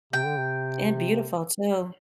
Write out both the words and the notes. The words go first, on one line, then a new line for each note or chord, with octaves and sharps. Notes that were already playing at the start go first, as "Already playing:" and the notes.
And beautiful too.
C3 G5
D3
C3